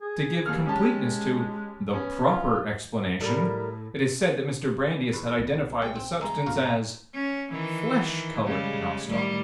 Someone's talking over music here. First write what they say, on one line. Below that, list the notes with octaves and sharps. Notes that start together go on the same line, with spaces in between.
To give completeness to "the proper explanation," it is said that Mr. Brandeis had identified the substance as "flesh-colored" nostoc.
G#4
D#2 D#3 F6
G#3 C#4 G4 A5
B3 C#4
F4
A2 G3 A#4
E2 B4
B1 B3
G#3 G5
C4
G1 G#3 A#5
D1 D2 G#2 B3 F#4 F5
C#4
D#3 E3
C#3 G3 G#3
A2 D#3 G3